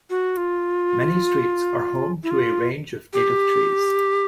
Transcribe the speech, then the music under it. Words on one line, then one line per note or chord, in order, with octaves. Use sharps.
Many streets are home to a range of native trees.
F#4
F4
E4
F4
G4